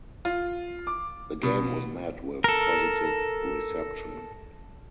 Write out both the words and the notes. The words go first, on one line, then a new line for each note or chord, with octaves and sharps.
The game was met with positive reception.
F4
D6
B2
A4 A#4